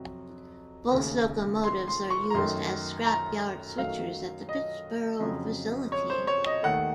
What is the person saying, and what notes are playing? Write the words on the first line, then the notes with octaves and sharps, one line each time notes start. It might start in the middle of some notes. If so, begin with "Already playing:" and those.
Both locomotives are used as scrap yard switchers at the Pittsboro facility.
Already playing: F2 C3 F#3
D#2 C#3 A3
C6
C6
C#6
A#5
F#2 D#3 A3 C6
A#5
F#2 D#3 F#3 A3 F5
D#5
F2 C#3 F#3
C#5
C5
C#5
D#5
D#2 D#3 A3 F#5